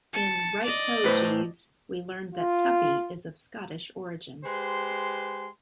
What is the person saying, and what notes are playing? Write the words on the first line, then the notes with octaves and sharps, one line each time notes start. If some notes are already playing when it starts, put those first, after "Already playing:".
In "Right Ho, Jeeves", we learn that Tuppy is of Scottish origin.
A5 C#7
D5 D#5
A2 B4 C5
F4
G#3 G4 B4 C5 C6